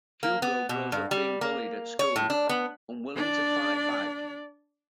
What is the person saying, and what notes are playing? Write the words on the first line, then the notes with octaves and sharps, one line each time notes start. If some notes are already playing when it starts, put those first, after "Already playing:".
Hugo grows up being bullied at school, unwilling to fight back.
A#3
B3
B2
G2
G3
A#3
C#5
A2
D4
B3
D4 D5